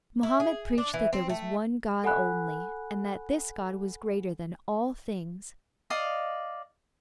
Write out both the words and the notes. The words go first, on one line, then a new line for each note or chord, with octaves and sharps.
Mohammed preached that there was one God only, and that this God was greater than all things.
E4
G#4
D4
E3
C4
A3
A4 F#5 G#5 B5 F#6
D5 D#5 F5